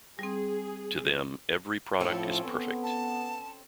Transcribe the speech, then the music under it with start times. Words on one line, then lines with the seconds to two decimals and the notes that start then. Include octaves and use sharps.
To them, every product is perfect.
0.19 G3 C4 G#4
2.00 A2 F3 C4 C#4 A4
2.44 B3
2.83 A5